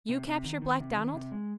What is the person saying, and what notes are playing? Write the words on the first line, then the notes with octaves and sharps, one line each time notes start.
You capture Black Donald!
C3
C3
D#3
D#3
C3
D#3
C3
G#3